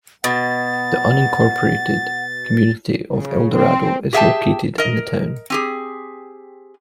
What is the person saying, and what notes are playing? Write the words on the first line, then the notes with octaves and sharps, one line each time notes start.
The unincorporated community of Eldorado is located in the town.
B2 F#5 A6
C#3
C4
G4 G#4 E5 F5 G5 A5
A#4 D#5
C4 G4 G#4